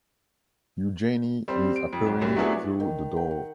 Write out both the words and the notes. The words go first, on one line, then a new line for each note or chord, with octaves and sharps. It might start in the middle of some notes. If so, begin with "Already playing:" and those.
Eugénie is appearing through the door.
G3 C4 C5
D7
F2
B1
C2 F#2
F#3 A3 B3 D4 E4 G#4
D#3
G5
F#5